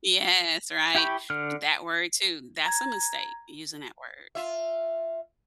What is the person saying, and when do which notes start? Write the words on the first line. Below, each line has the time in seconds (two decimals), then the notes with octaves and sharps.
Yes, right? And that word, too. That's a mistake, using that word.
0.95 E4 G4 G5 B5 C#6
1.30 D3 F6
2.66 A#5 G#6
4.35 F4 E5